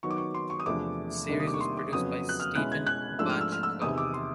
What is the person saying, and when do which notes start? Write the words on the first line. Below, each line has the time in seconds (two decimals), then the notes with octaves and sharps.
The series was produced by Steven Bochco.
0.03 D#3 F#3 B3 C#6
0.10 D6
0.18 C#6
0.34 C6
0.50 C#6
0.60 D#6
0.66 E2 C3 F3 A3 D4 D6
1.29 C3 D#3 G3 A#3 D4
1.40 D#6
1.47 D6
1.54 C#6
1.61 C6
1.77 D6
1.93 F2 C#3 F#3 B3 D#6
2.29 F#6
2.40 F6
2.55 B2 G#3 C#4 E4 F#6
2.72 G#6
2.87 F#6
3.19 G#2 F3 A3 D4 E6
3.30 F6
3.41 E6
3.52 F6
3.63 E6
3.82 E2 C3 D#3 D#6
3.98 D6
4.14 C6